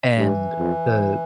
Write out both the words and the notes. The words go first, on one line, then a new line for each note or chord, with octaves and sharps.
And the
G2 E3
F2